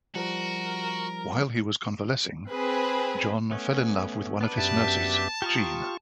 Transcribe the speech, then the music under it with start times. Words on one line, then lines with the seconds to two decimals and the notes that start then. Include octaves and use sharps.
While he was convalescing, John fell in love with one of his nurses, Jean.
0.15 F3 G3 F#4 A#4
2.51 C4 G#4 B4
3.51 A3 B3 C#4
4.41 B3 D4 B4
4.57 F#2 G4 E5 A5
5.42 F4 G4 A#5 C#6 D#6